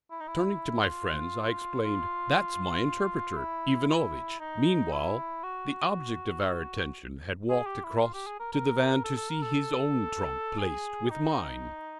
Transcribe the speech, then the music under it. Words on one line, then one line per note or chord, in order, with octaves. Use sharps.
Turning to my friends, I explained, "That's my interpreter, Ivanovitch." Meanwhile, the object of our attention had walked across to the van to see his own trunk placed with mine.
E4
D#4
E4
F4
F4
E4
E4
D#4
E4
F#4
G#4
G4
E4
F4
G4
G#4
A#4
A#4
A4
A4
A#4
A4
G#4
D#4